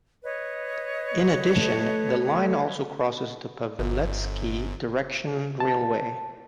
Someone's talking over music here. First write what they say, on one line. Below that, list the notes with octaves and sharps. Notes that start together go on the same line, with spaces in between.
In addition the line also crosses the Paveletsky direction railway.
B4 C#5 D#5
A3 A4
G1
A5